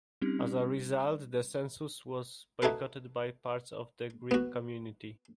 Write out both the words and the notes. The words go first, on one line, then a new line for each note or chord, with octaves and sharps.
As a result, the census was boycotted by parts of the Greek community.
G3 C4 C#4 D#4 G4
D#4 E4 F#4 A4 B4
B3 F#4